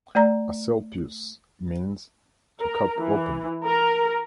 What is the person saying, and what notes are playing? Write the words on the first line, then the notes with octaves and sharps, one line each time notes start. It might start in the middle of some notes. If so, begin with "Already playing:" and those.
Asclepius means "to cut open".
A3 D5 A#5
A#4
E3
A#4